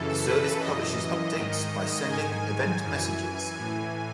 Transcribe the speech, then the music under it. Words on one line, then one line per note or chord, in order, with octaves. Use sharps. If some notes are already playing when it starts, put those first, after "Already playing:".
The service publishes updates by sending event messages.
Already playing: F#2 C#3 E3 A4
B4
F#2 E3 D#5
G#2 D#3
G#2 D#3 G#5
F#2 E3
A2 E3 G#5